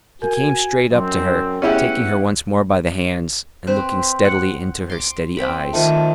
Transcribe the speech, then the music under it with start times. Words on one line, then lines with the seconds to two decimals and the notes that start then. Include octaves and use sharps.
He came straight up to her, taking her once more by the hands, and looking steadily into her steady eyes.
0.22 F#4 A#4 G#5
0.91 F#2 F#3 C4 C6
1.62 B3 C#4 E4 G4 G#4 F#5 G5
3.67 C4 B4 C5
4.25 F#5
4.90 C6 D6
5.37 C4 G5 B5
5.73 D#3 F3 A3